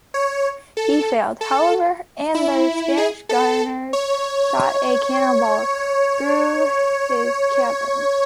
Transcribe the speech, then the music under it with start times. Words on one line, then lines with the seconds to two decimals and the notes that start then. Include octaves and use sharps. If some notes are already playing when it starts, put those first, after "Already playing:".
He failed, however, and the Spanish gunners shot a cannonball through his cabin.
0.14 C#5
0.77 A4
1.41 A4
2.35 E4
2.97 G#4
3.29 A4
3.93 C#5